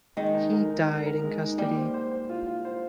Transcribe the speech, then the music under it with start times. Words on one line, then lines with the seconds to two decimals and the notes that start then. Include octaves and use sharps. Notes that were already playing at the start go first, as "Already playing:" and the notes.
He died in custody.
0.17 D#3 G#3
0.35 D#4
0.53 A#4
0.70 D#4
0.88 A#4
1.06 A#4
1.23 G#3
1.41 D#4
1.58 G3 A#3
1.76 C5
1.94 C5
2.11 C5
2.29 F4
2.47 F4
2.65 C5